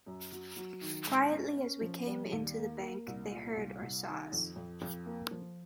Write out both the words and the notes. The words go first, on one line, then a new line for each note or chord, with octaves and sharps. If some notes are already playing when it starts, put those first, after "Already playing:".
Quietly as we came into the bank, they heard or saw us.
F#2
F#3
F#3
D#3
G#2
C#4
C#4
F3
G3
D#2
A#3
A#3
C2
A#2
C2
C2
D#3
F2
F2
F2
A#3
F3